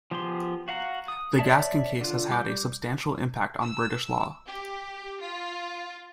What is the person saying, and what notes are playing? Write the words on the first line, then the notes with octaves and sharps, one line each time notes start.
The Gaskin case has had a substantial impact on British law.
F3 B3 G4 G#4 C6
F#4 F5 F#5 A#5
D#6
C#5 D5 E5 A5
D3 F4
G3 D6 G6
E6
G4
F4